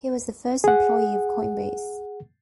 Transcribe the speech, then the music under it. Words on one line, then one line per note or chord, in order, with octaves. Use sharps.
He was the first employee of Coinbase.
G#4 F#5